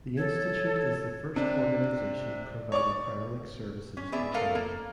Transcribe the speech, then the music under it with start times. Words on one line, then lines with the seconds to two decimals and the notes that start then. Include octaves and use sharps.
The institute is the first organization providing cryonics services in China.
0.18 A4 C#5
1.36 C3 D4 D5
2.72 C#5 D5 C#6
3.97 C#4
4.12 B3 G#4 D5 E5
4.34 A3 A4 A#4 F5
4.55 A#3